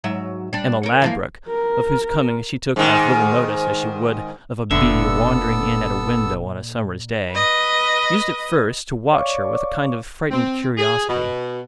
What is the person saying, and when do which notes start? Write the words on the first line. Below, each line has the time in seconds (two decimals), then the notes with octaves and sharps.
Emma Ladbruk, of whose coming she took as little notice as she would of a bee wandering in at a window on a summer’s day, used at first to watch her with a kind of frightened curiosity.
0.04 G#2 F#3 E5
0.53 G3 D4
0.83 C#4 A#4
1.02 E3 F3 A#3
1.48 A#4
2.76 G#2 D#3
4.71 F1 A#2 D3 B3 A4 E5 E6
7.31 B4 D#5
9.12 C#5 D5 F5 C#6 D6
10.31 C4
10.78 G#4
11.09 B2